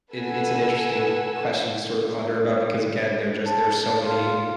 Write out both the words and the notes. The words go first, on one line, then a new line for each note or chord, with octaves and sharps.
it's an interesting question to sorta ponder about because again, there's just there's so many,
A4 B4 F#5 G#5 E6
A5
F4